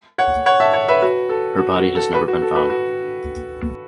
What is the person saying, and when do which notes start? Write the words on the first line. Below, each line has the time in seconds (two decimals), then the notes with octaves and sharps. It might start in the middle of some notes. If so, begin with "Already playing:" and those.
Her body has never been found.
0.18 C#5 F#5
0.46 C#5 F#5
0.60 E5 A5
0.73 C#5 F#5
0.88 B4 E5
1.02 F#4 B4
1.29 A4
1.58 F#4
1.76 F#4
1.95 A4
2.14 F#4 B4
2.28 F#4
2.42 A4
2.55 F#4 B4
2.70 F#4